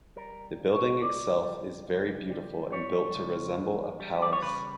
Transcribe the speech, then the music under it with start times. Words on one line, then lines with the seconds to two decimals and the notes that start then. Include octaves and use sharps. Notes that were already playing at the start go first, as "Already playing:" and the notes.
The building itself is very beautiful and built to resemble a palace.
0.16 G3 A#4
0.59 C#2
0.73 C#5
1.01 C#2 D5
1.44 G3
1.87 C#2
2.30 G3
2.72 G3 C#5
3.15 C#2
3.57 E2
4.00 G3
4.22 D5
4.33 C#5
4.42 C#3 B4